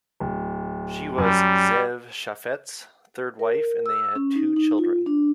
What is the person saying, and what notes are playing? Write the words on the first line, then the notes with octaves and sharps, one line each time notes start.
She was Ze'ev Chafets third wife and they had two children.
D1
F#2 G3
A#4
E6
C#4
D#4
D#4
F4
D4